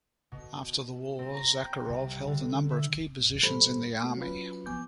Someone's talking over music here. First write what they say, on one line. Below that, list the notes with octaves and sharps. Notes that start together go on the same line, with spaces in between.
After the war, Zakharov held a number of key positions in the army.
B2
C4
A#5
G5
C2
D3
E5
G#2
E2 A2 G3 A4 C5 B5
A3 A#3 F#4
F#3 C#4 F4 B4
F3 B3 G#5 C#6 D6 G6